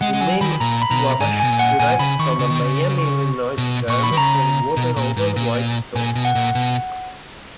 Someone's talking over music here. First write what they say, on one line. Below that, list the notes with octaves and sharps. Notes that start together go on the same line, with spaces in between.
The name Wabash derives from a Miami-Illinois term for water over white stones.
G#3 F#5
G#3
F#3 G#5
D#3 B5
A#2 A#5
B5
B2 A#5
G#2 G#5
B2 G#5
A#2
F#5
A#2 G#5
C#3 B5
D#3 C#6
C#3 C#6
D#3
C#3
C#6
B2
A#2 C#6
B5
D#3
C#3 A#5
B2
A#2
G#2
A#2
A#2 G#5
B2
F#5
A#2
B2